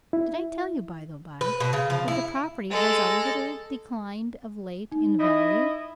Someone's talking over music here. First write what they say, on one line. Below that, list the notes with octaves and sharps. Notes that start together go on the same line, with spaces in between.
Did I tell you, by-the-by, that the property has a little declined of late in value?
E4
B4
B2
C#3
F3
E4
G#3 A4
D#4
E4 D#5